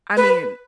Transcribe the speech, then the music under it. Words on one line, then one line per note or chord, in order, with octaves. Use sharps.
I mean,
B4